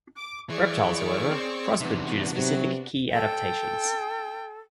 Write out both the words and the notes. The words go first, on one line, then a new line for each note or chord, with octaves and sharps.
Reptiles, however, prospered due to specific key adaptations.
D6
E3 G#4 C#5 D5 C#6
C4
E2 C3 B3 D4 D#4 F#4
C3 F#3
A4 G5